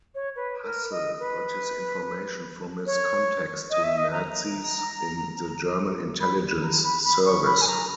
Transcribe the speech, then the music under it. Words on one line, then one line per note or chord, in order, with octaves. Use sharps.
Hassel got his information from his contacts to nazis in the German intelligence service.
C#5
B4
A#4
D#5
B4
C#5
D#5
E5
D#5
A#5
B5
A#5
B5
B5
C#6
B5
G#5
A#5